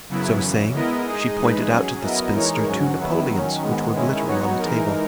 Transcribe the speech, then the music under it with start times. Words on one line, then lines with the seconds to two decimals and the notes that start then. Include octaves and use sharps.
So saying, she pointed out to the spinster two napoleons which were glittering on the table.
0.09 F#2 C#3 F#3 B3 E4
0.42 F#2 C#3 E3
0.73 G#3 B3 E4 A#4 D#5
1.05 G#3 D#4 G#4 D#5
1.38 E3 G#3 D#4 G#4 B4
1.70 F#3 C#4 G#4
2.02 F#3 B3 E4 A#4 D#5
2.34 E3 G#3 D#4 A#4 C#5
2.66 G#2 F#3 C#4 F#4
2.98 D#3 F#3 B3 E4
3.30 D#3 F#3 C#4
3.63 G#2 D#3 G#3 B3
3.94 D#3 G#3 C#4 E4
4.27 F#3 B3 D#4 F#4 C#5
4.59 E3 G#3 D#4 A#4